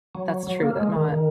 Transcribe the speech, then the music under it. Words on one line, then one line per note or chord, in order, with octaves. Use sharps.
that's true that not
F#3
F#3
A#3
G#3
D#3
D#3